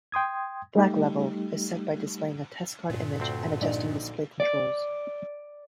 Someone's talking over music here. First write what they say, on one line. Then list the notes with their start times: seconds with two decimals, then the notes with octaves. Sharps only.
Black level is set by displaying a testcard image and adjusting display controls.
0.12 G5 C6 D#6 G#6
0.75 G3 A3 D#4 G4
2.90 G2 A#2
3.20 D2 C4
3.61 A#1 D#4 D5
4.40 D5